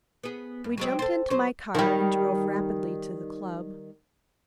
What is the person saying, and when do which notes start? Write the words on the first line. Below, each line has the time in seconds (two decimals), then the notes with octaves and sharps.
We jumped into my car and drove rapidly to the club.
0.24 B3 G#4
0.64 G2
0.78 F#3 G#3 C4
0.99 A4 C5
1.30 F#3 C5
1.75 D#3 G3